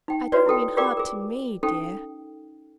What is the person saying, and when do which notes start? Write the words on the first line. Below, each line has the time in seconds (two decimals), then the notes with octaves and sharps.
I don't mean hard to me, dear.
0.08 D#4 G5
0.32 F#4 B4 C#5 D5
0.46 E4 F#4 A4 G5
0.77 F4 G4 A#4 D5 G5 D6
0.97 G#4 A#4
1.63 C#4 D#4 A4 G5